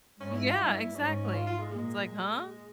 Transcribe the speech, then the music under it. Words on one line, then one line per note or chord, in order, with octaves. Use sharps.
Yeah, exactly. It's like, huh?
G#2 C#4
E4
F4
G2 E4
G#2 C#4
F4
F4
G#3
A#2 G#3